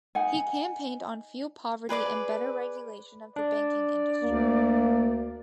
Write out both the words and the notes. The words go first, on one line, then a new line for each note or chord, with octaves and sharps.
He campaigned on fuel poverty and better regulation of the banking industry.
D#4 F#5 G#5
G#4 B4 D5 D6
D4 D5
D2 A#3